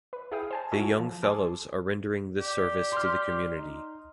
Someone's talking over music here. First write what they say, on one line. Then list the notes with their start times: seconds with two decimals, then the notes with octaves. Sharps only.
The young fellows are rendering this service to the community.
0.13 B4
0.31 E4 G#4 F5 G5 D#6
0.51 C5 G#5 A5
0.72 E4 F#4 G#4 A4 C#5 D#5
0.99 F3
1.23 A4 G#5 C6 D6 D#6
2.40 G4 D5
2.92 C6 F6
3.57 D#4